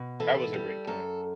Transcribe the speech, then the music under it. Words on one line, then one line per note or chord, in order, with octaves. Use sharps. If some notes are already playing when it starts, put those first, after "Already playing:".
that was a great point.
Already playing: B2
E3 A4
G3
F#2 A4